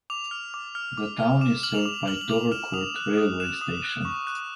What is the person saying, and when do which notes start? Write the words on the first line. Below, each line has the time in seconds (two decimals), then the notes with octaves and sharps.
The town is served by Dovercourt railway station.
0.10 D6 F7
0.31 F6
0.54 D6
0.75 F6
0.97 D6
1.20 F6
1.41 D6 E7
1.63 F6 F#7
1.75 F7
1.85 D6
2.07 F6 F#7
2.21 F#7
2.30 D6 F7
2.52 F6 E7
2.74 D#6 F7
2.96 F#6
3.17 D#6
3.40 F#6 E7
3.61 D#6
3.84 F#6
4.05 C#6
4.27 F#6